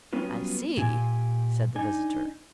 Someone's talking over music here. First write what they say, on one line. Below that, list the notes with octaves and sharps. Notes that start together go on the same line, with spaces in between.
"I see," said the visitor.
F#3 G3 B3 C#4 F4 B4
A#2 G4 G#5
D4 D#4 G#5